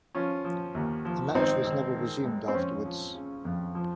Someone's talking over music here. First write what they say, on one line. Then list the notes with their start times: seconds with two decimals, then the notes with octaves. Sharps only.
The match was never resumed afterwards.
0.15 F3 C#4 F4
0.45 F3
0.75 D#2
1.05 F3
1.35 G#1 C4 D#4
1.65 G#1
1.95 D#3
2.25 G#2
2.48 C4
2.54 F2 C#4
2.85 F3
3.15 C#3
3.45 F2
3.75 F3